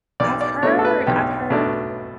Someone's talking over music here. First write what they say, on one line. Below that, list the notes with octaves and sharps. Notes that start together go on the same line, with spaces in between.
I've heard, I've heard.
B1 D5
D5
B2 A3 D4 C#5
A4
B4
B1 G4
B2 A3 D4